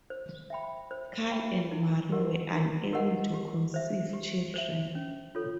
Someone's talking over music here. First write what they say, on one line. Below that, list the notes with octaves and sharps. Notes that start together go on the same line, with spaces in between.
Carl and Marie were unable to conceive children.
C5
E5 G5 B5
C5
E5 G5 B5
D#4
G4 A#4 D#5 F#5
D#4
G4 A#4 D#5 F#5
G4
C5 E5
G4
C5 E5
C#4
F4 A4 C#5